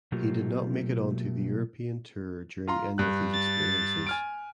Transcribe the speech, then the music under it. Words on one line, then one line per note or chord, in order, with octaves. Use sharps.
He did not make it onto the European Tour during any of these experiences.
B2 F#3 A3 A#3 F4 G4
F4 A#5 C6
G2 F#6
A6
G#5 F6 D7